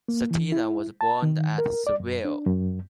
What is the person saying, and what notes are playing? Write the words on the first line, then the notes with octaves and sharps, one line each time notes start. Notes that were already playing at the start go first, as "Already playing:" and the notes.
Cetina was born at Seville.
A#3
E3
E4
A5
D#3
A#4
D5
F#2
D4
F#2